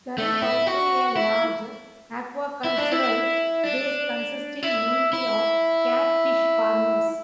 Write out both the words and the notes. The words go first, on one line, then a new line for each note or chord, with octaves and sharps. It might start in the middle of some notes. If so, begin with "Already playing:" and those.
There is also a large aquacultural base consisting mainly of catfish farmers.
A3
E4
F#4
E4
E4
D4
E4
D4
E4
E4